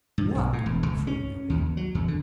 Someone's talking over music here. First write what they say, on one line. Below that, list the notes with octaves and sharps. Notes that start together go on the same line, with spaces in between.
"What?" from Billie.
G2
B1
A2
E1
C#2
C#4
D#2
F#3
E2
D3